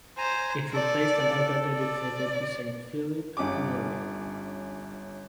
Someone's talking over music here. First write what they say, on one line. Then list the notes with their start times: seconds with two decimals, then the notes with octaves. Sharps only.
It replaced an altar dedicated to St Phillip Neri.
0.18 C5 G#5 A#5
0.73 A4 D5
1.75 D5
3.37 G1 C#4 D6